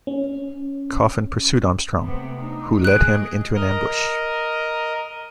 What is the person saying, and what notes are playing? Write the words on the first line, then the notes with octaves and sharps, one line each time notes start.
Coffin pursued Armstrong, who led him into an ambush.
C#4
C3 A3 B3
D4 D#4
A3 G#4 D#5 F#6 D7
A#4 D#5